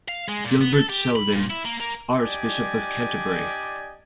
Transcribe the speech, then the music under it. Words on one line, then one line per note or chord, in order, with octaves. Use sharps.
Gilbert Sheldon, Archbishop of Canterbury.
F5
G#3
A#2
B3
A4
G4
B5
A#2
E4
A#3
A#3
D4 G4 D5 D#5 G#5